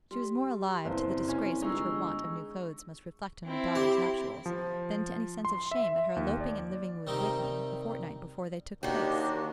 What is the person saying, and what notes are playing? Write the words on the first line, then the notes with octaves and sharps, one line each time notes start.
She was more alive to the disgrace which her want of new clothes must reflect on her daughter's nuptials, than to any sense of shame at her eloping and living with Wickham a fortnight before they took place.
G3 C6
F#1 C2 C5
C#4
G1 G#3 D#4 G4 G#4 C#6 E6
C4 E4
G4
F3
C6
E5
D#2
D5
C3 D#3 G3 D#4
D#2 D#3 D4 F#4 G4